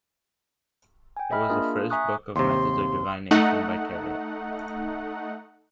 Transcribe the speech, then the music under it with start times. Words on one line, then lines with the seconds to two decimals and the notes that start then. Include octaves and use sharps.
It was the first book of methods of divination by Tarot.
1.17 G5 G#5
1.31 D#5 E5 B5 F6
1.49 A#3 D4 F4 G#4 A#4
1.90 E5 G#5 A#5 C#6 D#6 F#6
2.36 D#2 C3 C6
3.31 A3 D#4 F#5